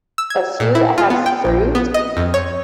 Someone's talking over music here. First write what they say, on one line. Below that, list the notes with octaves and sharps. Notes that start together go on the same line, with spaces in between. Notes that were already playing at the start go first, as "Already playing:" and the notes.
a few that had fruit
E6
G#6
A#2
E4
F4
B3
G5
A#1
B3
D#5
F2
C#5